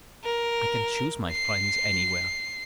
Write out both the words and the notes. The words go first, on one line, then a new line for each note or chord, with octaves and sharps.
I can choose my friends anywhere.
A#4
C7